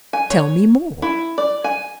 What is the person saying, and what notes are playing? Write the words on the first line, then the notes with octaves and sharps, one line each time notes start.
Tell me more.
G#5
C#5
E4
D5
G#5